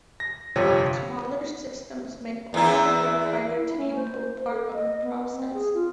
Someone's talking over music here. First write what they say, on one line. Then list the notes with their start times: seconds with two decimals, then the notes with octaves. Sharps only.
Smaller systems may only be required to handle part of the process.
0.20 A#6
0.56 G1 F2 C3 F4 C#5 G5
2.54 E2 E4
3.57 E4
3.77 C#4
3.95 C5
4.50 A4
4.74 D#5
5.02 B3
5.33 C4
5.54 G#4
5.74 F4